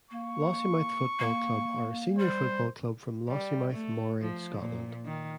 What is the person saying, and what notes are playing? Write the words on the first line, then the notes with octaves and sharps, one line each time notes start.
Lossiemouth Football Club are a senior football club from Lossiemouth, Moray, Scotland.
A#3 C#6
A#3
G3 C5
G3
A3
F3
A#2
D#3